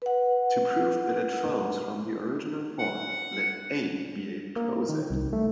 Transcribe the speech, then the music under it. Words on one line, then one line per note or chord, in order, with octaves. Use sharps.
To prove that it follows from the original form, let "A" be a poset.
B4 F#5
F#5
A#3
D#3
C2
A3